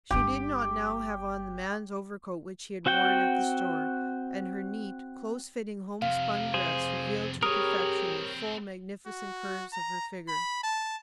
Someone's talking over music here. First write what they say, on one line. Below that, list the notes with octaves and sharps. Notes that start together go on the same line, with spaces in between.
She did not now have on the man's overcoat which she had worn at the store, and her neat, close-fitting home-spun dress revealed to perfection the full, magnificent curves of her figure.
G1 D4 G4
C4 F#4 F#5 G5
F2 C3 F5
G#4 C5
C4 G4 G#4 A#4 B4 C#5 D#6
F#4
A#5
B5
A5